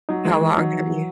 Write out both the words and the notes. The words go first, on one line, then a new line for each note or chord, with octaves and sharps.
how long have you
F#3 D#4
E3 G#3
E3 G#3
F#3 D#4
E3
E3